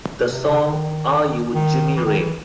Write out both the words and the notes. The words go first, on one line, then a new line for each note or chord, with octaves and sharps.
The song Are You Jimmy Ray?
B2
C3
C#3
D3
D#3
D#3
E3
D#3
E3